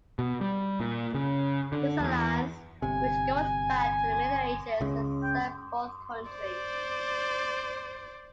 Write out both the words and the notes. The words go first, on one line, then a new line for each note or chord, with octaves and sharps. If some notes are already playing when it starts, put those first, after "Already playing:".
This alliance, which goes back to the Middle Ages, has served both countries.
B2
G3
A#2
C#3
D3
E2
G1 C3 G#5
C#2 C#3
G5
C5 D5